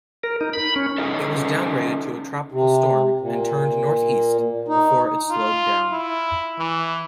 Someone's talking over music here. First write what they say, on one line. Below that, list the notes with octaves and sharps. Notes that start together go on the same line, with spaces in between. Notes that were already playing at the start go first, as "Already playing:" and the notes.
It was downgraded to a tropical storm and turned northeast before it slowed down.
A#4
D#4
B5
C#4
C#4 D#4 G#4 A4 D#5
C3
A#2
D#4
F4
E4
E3